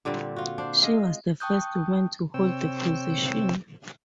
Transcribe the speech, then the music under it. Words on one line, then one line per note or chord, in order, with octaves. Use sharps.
She was the first woman to hold the position.
A#2 D3 G3 C4
F4 F#4
D4 C5
G#3 D#5 F5
G5 A5 C#6 D#6 F#6 G6
C3 C4 C#5 G5 E6